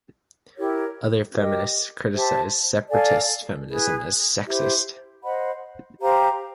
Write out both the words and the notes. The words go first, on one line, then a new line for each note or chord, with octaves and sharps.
Other feminists criticize separatist feminism as sexist.
E4 G4 A#4 C#5
G4 A#4 D#5
G4 C5 E5 A5
A4 D5 F5 G#5
E4 G#4 B4
E4 G4 C5 E5
C5 D#5 F#5 B5
G4 C5 F5 A#5